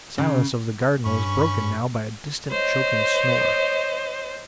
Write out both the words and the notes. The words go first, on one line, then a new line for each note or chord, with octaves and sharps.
The silence of the garden was broken now by a distant, choking snore.
C#3
G2 C#4 B5 C#6
C5 C#5 D#5